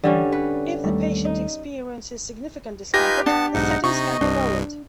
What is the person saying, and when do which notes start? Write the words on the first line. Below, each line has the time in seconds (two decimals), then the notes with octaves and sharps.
If the patient experiences significant discomfort, the settings can be lowered.
0.04 D3 E3 G3 C#4
0.32 B4 C#5
0.84 D#2 G3 A3
1.25 D#4
2.94 D#4 F4 G4 B4 G#5 G6 A#6
3.26 B3 D4 F#5 A5
3.54 B1 G#2 D#4 F#5
3.84 C3 D#4 D#5 C#6
4.21 C2 G2 D4